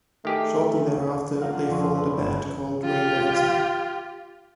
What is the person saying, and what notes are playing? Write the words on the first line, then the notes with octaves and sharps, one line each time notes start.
Shortly thereafter, they formed a band called Raindancer.
D#3 A3 G4 G#4
F4 A4 A#4 F5 F#5
D4 D5
F2 E5 A5 C6 C#6 D#7
C#4 D4 B4 C5
G1 E7
F4 G4